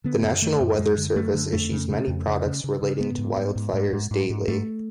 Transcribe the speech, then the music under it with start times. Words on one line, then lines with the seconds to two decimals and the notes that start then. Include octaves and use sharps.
The National Weather Service issues many products relating to wildfires daily.
0.04 D3 B3
0.23 F#2
0.41 D3 A3
0.61 F#2
0.79 F#2 G#3
0.97 D3
1.16 F#2 A3
1.34 D3
1.53 F2 A3
1.71 C#3
1.89 C#3
2.08 F2
2.27 C#3
2.45 C#3
2.64 C#3
2.82 C#3
3.00 G#2 B3
3.18 G#2
3.37 G#2
3.56 G#2
3.73 G#2
3.93 G#2
4.11 G#2
4.30 G#2
4.48 G#2 A3